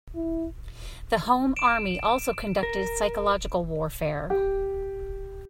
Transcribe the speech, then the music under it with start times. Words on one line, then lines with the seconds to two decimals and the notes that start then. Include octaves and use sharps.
The Home Army also conducted psychological warfare.
0.15 E4
1.56 D7 E7
2.63 A#4
4.30 G4